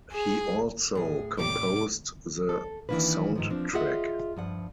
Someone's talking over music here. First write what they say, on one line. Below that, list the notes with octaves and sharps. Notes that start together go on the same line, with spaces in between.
He also composed the soundtrack.
G#4
A2 G#4
A2 C3 G3 D6
A4
D#3 E3 G3 A#3 D4 B4
G#2 D#3 F3
F3 C4 D4
F4 F#4 G#4 D#5 E5 F#5
G2 F3 F#5